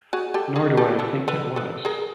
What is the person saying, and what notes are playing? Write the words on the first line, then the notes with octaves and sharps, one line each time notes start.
Nor do I think it was.
F#4 G#4
G4 A4
G#4 A#4
G4 A4
A4 B4
A4 B4
A4 B4
G#4 A#4